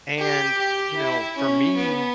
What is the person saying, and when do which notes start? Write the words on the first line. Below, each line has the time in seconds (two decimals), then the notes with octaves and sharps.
and, you know, for me,
0.18 G4
0.58 G4
0.97 E4
1.37 C#4
1.77 B3